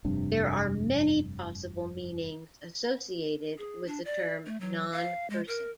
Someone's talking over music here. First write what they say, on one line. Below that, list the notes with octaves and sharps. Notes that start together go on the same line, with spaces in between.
There are many possible meanings associated with the term "nonperson".
F1 G2 C3 D4
G#4
D4
D5
A3
F#3
F5
G#3
A#4